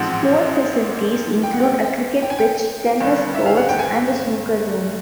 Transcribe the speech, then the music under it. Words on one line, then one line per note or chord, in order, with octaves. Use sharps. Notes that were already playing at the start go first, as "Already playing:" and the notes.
Sport facilities include a cricket pitch, tennis courts and a snooker room.
Already playing: A1 G#2 F3 G#3 C4 F#5
G5
F#5
G5
G5
G#5
G5
G1 G2 D#3 G3
E5
F5
F#5
G5
G#5